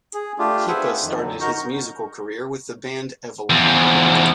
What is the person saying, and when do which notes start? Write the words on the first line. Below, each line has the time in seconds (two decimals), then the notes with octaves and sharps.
Hipa started his musical career with the band Evelynn.
0.14 G#4
0.39 A3 D4 F4 G4
0.68 G#4 B4 C5 E5 F#5 G#5
1.02 F2 D#3
1.21 D3 F#3
1.41 D#4 F#4 A#4 A#5 C#6 G6
3.50 E2 F3